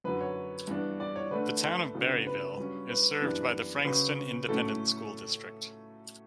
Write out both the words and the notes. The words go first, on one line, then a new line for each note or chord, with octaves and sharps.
The Town of Berryville is served by the Frankston Independent School District.
F#2 D3 F#3 B4
C#5
G2 E3 B3 D4
D5
C#5
D3 A3 D4 B4
A4
C#3 F#3 B3 D4
B4
G2 F#3 C#4
B4
F#2 E3 G3 B3 D4
C#3 F#3 C#4 B4
A2 F#3 A3 C#4 A4